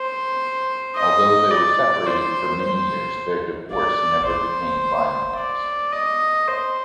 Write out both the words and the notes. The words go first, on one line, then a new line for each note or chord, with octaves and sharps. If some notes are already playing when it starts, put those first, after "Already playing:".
Although they were separated for many years, their divorce never became finalized.
Already playing: C5
D#5
D5
C5
C5
D5
C5
D5
D#5
C5